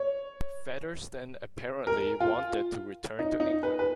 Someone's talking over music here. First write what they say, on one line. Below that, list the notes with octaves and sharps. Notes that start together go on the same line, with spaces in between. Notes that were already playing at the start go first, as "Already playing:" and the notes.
Featherston apparently wanted to return to England.
Already playing: C#5
A#4
F4
D#4
D#4
B4
B4